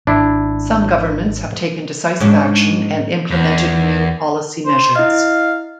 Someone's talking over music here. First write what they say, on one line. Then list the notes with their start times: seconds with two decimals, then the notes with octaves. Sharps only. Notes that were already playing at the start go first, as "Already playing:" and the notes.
Some governments have taken decisive action and implemented new policy measures.
0.07 G#1 D4 E4
2.20 G#2 C#4 D4
3.30 E2
4.66 C5
4.96 E4 D#5 F5